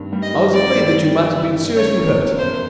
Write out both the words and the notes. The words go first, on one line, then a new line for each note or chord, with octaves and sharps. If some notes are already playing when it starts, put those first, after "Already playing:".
I was afraid that you might have been seriously hurt.
Already playing: G2 D#3 C4
G3
D#5
D#3
C4 D5
G2
G3
D#3
C4
G2
C#3 C#5
E2
F#1
F#1 C5